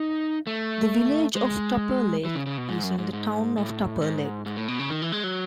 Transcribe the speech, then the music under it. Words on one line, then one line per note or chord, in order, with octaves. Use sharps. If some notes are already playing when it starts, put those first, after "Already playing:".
The village of Tupper Lake is in the town of Tupper Lake.
Already playing: D#4
A3
G#3
E3
C#3
C#3
B2
G#2
F#2
G#2
G#2
A2
G#2
G#2
A2
B2
C#3
D#3
E3
G#3
F#3